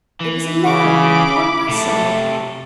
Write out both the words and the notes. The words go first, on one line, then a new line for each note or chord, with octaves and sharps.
It was eleven, upon my soul!
E3
C#3 B5 D6
C3 A3 A4